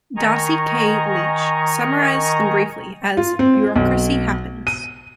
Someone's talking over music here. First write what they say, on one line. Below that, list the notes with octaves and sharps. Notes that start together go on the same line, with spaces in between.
Darcy K. Leach summarized them briefly as: Bureaucracy happens.
D#3 D#5 G#5 A#5 C#6
F4
C4
B1
D#7